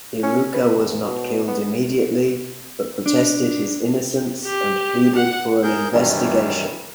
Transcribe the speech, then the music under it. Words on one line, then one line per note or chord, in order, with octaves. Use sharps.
Iruka was not killed immediately, but protested his innocence and pleaded for an investigation.
C#4
B4
E2
B2
B3
D4
G4
F#5
G#4 A#4 G6
G2 C3 D#3 E3 F#3 G3